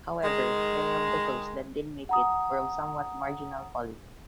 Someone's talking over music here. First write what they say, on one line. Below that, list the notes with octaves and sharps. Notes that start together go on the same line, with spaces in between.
However, many of the shows that did make it were of somewhat marginal quality.
D#3 G#3
F#5 A#5 D#6